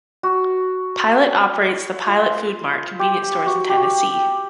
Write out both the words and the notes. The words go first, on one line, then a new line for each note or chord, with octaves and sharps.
Pilot operates the Pilot Food Mart convenience stores in Tennessee.
F#4
F4
G4
G4
F#4
G4
F#4
G4